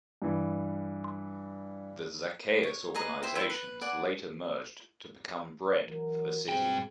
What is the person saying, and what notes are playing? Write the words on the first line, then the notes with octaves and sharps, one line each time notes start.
The Zacchaeus organizations later merged to become Bread for the City.
G2 E3
C#5
G#4 B4 D#5 A#5
E4 C5 G5
E4 E5 G5 C6
B4
D5 F#5 G#5
E3 F#3 A#4
G2 B2 F#3 C4 G#4 G5